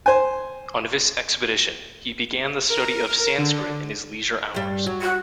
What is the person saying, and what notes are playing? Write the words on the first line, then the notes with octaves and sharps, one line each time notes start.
On this expedition, he began the study of Sanskrit in his leisure hours.
C5 G#5
A#4
D3
G2 G3
F#3
F#4